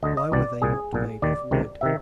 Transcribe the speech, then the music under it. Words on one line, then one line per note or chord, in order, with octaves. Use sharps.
Why were they not made of wood?
D2 D3 D#5
D#5
C2 B2 D5
C2 A#2 G#4
B1 A#2
D#2 D#3 D5
C#2 C3 D#3
C3 D#3 E5